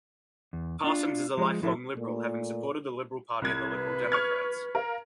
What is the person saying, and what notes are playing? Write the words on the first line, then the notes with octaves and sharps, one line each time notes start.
Parsons is a lifelong Liberal, having supported the Liberal Party and the Liberal Democrats.
E2
D4 F4
F3 G#3
A2 F3 E4 A4 E5
A#2 A3 A#3
C2 G#6
B4
C#6 F6 G#6
A#4 F5